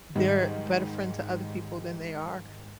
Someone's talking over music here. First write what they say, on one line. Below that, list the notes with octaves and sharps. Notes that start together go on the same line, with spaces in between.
they're a better friend to other people than they are
G#2 D#3 G3